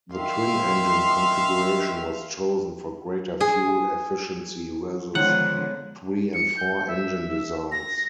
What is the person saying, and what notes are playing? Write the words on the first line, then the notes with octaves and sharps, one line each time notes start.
The twin-engine configuration was chosen for greater fuel efficiency versus three- and four-engine designs.
D#3 E5 F5 C6
G#4
D3 D#3 F3 G#3 B3 C#5 F#5
C#7
G6
E5
A#6